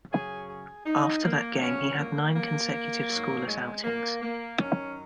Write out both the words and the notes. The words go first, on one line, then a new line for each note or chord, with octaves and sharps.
After that game, he had nine consecutive scoreless outings.
F#2 C#3 F#3 G#4
G#4
D#4
A#3
A#2 F#3 C#4
A#3
A#3
G#2 F#3
G#3
A#3
A#3
F#2 D#3 F#3 C#4